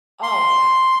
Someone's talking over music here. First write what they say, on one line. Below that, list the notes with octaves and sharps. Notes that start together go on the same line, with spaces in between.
Oh, yeah.
C6